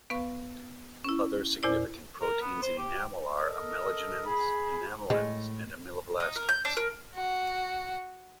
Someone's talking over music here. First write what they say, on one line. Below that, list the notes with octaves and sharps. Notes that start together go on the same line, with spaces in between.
Other significant proteins in enamel are amelogenins, enamelins, and ameloblastins.
B3 B4 F5 C#6
C#4 E4
E2 A#2 E4 C5 D5
A#4
B3
C5
G4
A4 A#4 D#5
G#4 B5
A2 G#3
D#4
A#4
G6
D4
A#4
F#4